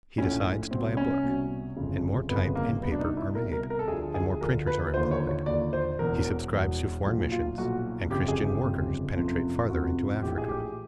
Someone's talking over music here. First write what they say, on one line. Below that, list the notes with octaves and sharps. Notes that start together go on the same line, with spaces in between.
He decides to buy a book, and more type and paper are made, and more printers are employed; he subscribes to foreign missions and Christian workers penetrate farther into Africa.
A#1 A2 F3 C#4
C2 B2 C4
C#4
C2 B2
G1 F2 C#3
G1 F2 C#3 B3
A#3
C2 B2 B3
D4
D#4
E4
B2 A#4
C2
A#4
A#4
A4
D2 D3 F3 G#4
G#4
D2 D3 F3 A#4
B4
D#2 D3 F3 C5
C#5
C#5
D#2 D3 F3 D5
C5
E1 E2 B2 A#4
E1 E2 B2
B1 A#2 F3
F4
B1 A#2 F3 F#4
G1 F2 C#3 G4
G#4
G4
G1 F2 C#3
F#1 F2 C3 F3
F#1 F2 C3 F3 F#4
A#1 A2 E3 G4
G#4
G4